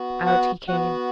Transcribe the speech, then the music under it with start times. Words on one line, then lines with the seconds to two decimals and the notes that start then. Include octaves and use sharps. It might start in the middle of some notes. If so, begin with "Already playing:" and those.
Out he came.
Already playing: B3 F#4
0.26 F#5
0.68 B3 F#4 F#5